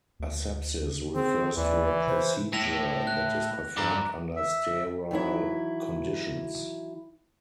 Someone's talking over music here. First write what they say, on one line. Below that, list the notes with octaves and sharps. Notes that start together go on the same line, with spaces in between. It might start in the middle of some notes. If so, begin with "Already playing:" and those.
Asepsis refers to a procedure that is performed under sterile conditions.
D2
D#3 C4 G#4
D#2 E3 D5
C3 C5
A2 A#6 F7
F#6
G2 A#5 D6
E5
D#3 E3 F#3 E4